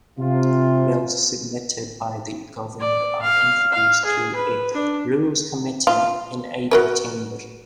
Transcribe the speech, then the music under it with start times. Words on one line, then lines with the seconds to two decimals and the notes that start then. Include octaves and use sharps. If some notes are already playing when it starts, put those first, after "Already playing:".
Bills submitted by the governor are introduced through a Rules Committee in either chamber.
0.19 C3 F4
2.81 D5
3.22 F5
3.72 F5
4.05 G#4
4.36 B4
4.74 D4
5.87 F4
6.71 F#4 A#4 B4